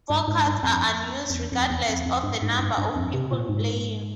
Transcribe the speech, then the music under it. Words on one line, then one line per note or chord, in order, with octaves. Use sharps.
Four cards are unused regardless of the number of people playing.
G2
G#2
G2
F2
F2
E2
F2
E2
F2
F2
G2
G#2
G2
G2
F2
C3
A#2
G#2